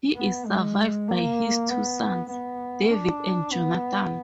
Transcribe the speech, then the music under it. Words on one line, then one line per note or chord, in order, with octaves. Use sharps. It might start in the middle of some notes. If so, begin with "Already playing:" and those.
He is survived by his two sons, David and Jonathan.
B3
G#3
A#3
B3
B3
D4
B3